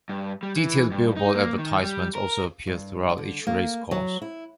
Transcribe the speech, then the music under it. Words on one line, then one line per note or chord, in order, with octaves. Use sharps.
Detailed billboard advertisements also appear throughout each race course.
G2
G3
E3
G2
D#4
A#3
D#3
G3
A#4
G2
D3
A#3
F#3
E4